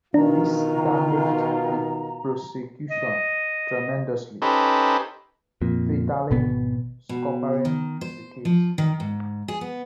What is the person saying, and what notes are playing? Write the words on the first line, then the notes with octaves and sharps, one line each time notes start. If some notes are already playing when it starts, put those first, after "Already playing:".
This damaged the prosecution tremendously, fatally scuppering the case.
B2 D#3 D4 F4 A#5
D#5
C#4 D#4 G4 A4 B4 C5
F2 A#2
G#1 B2 B3
B2
D#3
C5
F3
D#3
G#2
G#4
B3